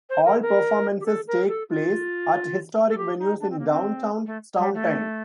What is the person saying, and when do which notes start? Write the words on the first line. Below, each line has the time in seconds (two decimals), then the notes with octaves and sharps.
All performances take place at historic venues in downtown Staunton.
0.09 C5
0.25 A#4
0.41 A#4
1.00 G4
1.05 A4
1.27 A#4
1.48 A4
1.69 F4
2.89 A4
2.97 G4
3.19 D#4
3.40 D4
3.50 C4
3.59 A#3
3.68 C4
4.26 A3
4.58 G3
4.74 A3